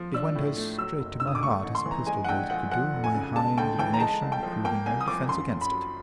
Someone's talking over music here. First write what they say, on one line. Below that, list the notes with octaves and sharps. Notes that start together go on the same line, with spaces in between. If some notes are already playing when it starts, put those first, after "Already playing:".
It went as straight to my heart as a pistol bullet could do, my high indignation proving no defence against it.
Already playing: F3
D4 E6
A2
A3
F#3 E6
F#1
D3 E6
D#6
D6
A3 C#6
A1
C6
E3
A#5
G#3 G#5
F#5
A#1 G5
F3 F#5
F3 F#5
F1
G#5
C#3
G#3 A5
D2 G5
E3 G5
A#5
G#3 A5
C2
G5
F3
A#3 G5
C2 G#5
D#6
F3 D6
F#2 C6
F#2
B5
F#3